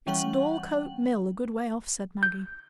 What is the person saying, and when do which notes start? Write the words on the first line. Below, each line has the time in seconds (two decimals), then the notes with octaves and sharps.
"It's Dorlcote Mill, a good way off," said Maggie.
0.07 E3 G3 C#4 F#5 G5 F#7
2.23 G6